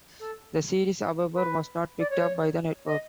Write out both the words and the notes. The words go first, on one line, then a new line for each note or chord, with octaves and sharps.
The series, however, was not picked up by the network.
A4
B4
D5
C#5
D#5